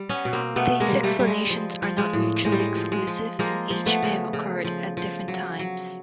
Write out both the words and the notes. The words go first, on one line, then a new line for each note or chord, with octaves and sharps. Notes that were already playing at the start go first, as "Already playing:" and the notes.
These explanations are not mutually exclusive and each may have occurred at different times.
Already playing: G3
B3 C#4
B2
A#3 C4
B2 A3 B3
G#3 A#3
G3
G3 A3
G3
G#3
F3
F3
G#3
A2
A2 G#3
G3
G#3
F3
G#3
F3
F3 G#3 A#3
F3
A3 B3
C#3
C#3
F3
F3
F#3
F#3